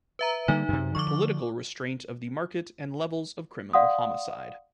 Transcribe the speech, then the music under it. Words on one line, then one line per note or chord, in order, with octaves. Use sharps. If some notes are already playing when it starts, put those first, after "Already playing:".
Political Restraint of the Market and Levels of Criminal Homicide.
B4 E5 A#5
D3 G3 A#3 D#4
F#2 C3
D3 F3 C#6 D6
D5 F5 F#5 C6 D#6